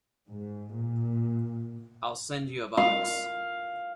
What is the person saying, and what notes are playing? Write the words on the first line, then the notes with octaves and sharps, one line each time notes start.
I'll send you a box.
G#2
A#2
F5